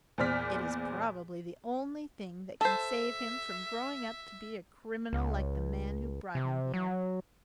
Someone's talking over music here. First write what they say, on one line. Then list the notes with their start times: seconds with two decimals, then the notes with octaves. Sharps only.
It is probably the only thing that can save him from growing up to be a criminal like the man who brought him here.
0.18 E2 A#2 C5 D5 F6 B6
2.61 A4 C5 E5
5.13 C#2
6.35 C3
6.74 F#3